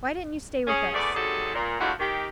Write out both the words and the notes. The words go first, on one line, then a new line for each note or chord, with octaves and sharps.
Why didn't you stay with us?
C#4 G#4
E2 A3 B3 G#4 D5
G#2 C3 F#3 G3 G#4 A4
A#2
F3 G#3 A3 D4 E4 F#4
D#3 G4